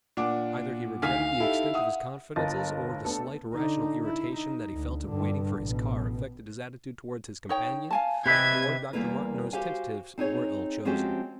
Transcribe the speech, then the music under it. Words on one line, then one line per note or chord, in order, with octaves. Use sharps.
Either he regretted the extent of his confidences or the slight irrational irritation that he felt at waiting for his car affected his attitude towards his companion, or Dr. Martineau's tentatives were ill-chosen.
A#2 D4 F#5 D6
D2 D#4 F5 G#5 F6 B6
D#4 E4 G4 A4
E5 F#5 D#6
G1 F4 A#4 D#5 A5 A6
A3 B3 D4 A4
D3 D#4
E4
D#4
D2
G2 D3
A1 B2
D#4 C#5 G5
F5 G#5 A5
C3 G4 B4 D#5 E5 G#6
E2 G3 A#3 E4 A#4 B4
F#4 G4 C5 F5 G#5
C4 D#4 G#4 C#5
F3 G#3 C4 C#4 F#4 G4